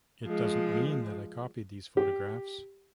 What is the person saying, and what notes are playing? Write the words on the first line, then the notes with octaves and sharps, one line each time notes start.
It doesn't mean that I copied these photographs.
F3 G#3
G4